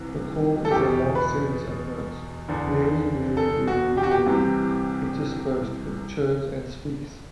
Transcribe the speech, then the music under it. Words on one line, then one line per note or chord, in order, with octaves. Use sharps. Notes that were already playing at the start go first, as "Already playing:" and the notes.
The call is a long series of notes, "weary-weary-weary-weary", interspersed with churrs and squeaks.
Already playing: C2 C3 E3
A4
E2 B2 G4
B4
E2 D3
A4
F#4
G4
F#4
G4
C2 C3 E3